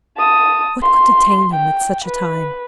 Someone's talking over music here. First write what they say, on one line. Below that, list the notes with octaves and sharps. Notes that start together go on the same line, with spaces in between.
What could detain him at such a time?
A5 D#6
C6
G5
B4